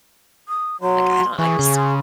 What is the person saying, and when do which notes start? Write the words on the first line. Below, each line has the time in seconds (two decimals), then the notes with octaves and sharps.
Like, I don't, I just
0.49 D#6
0.81 F#3 C6
1.39 E3 G#4 C#6
1.59 C#3
1.77 C6